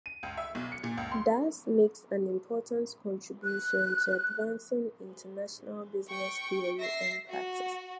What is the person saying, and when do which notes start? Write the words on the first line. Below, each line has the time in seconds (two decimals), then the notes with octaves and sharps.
Thus makes an important contribution to advancing international business theory and practice.
0.06 D#7
0.23 C#2
0.37 E5
0.55 B1
0.72 C#7
0.83 A#2
0.97 C#2
1.12 C6
3.44 F#6
6.08 G5 C#6
6.77 E5 A#6 C7
7.29 F#4